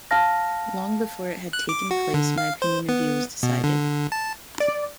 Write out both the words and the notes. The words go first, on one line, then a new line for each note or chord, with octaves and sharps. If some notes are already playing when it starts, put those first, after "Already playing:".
Long before it had taken place my opinion of you was decided.
F5 A5 F6 A#6
F#6
D6
F#4
D3
F5
C5
B3
B2
D3
A5
D5